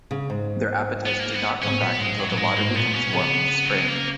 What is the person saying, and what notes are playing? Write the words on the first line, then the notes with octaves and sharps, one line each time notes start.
Their appetites do not come back until the water becomes warm in the spring.
C#3
G#2
B3
A#3
B3
G#2 C#4
A#2 B3
G#2 G#3
F#2 F#3
A#2 F#3
G#2 G#3
G#2 A#3
B2
A#2 B3
B2 C#4
C#3 B3
F#3
G#3
A#3